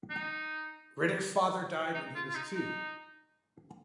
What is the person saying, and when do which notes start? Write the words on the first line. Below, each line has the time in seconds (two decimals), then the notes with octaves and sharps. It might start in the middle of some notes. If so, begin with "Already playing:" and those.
Ritter's father died when he was two.
0.10 D#4
1.94 D#4
2.15 F4
2.28 F4
2.35 D#4
2.55 D#4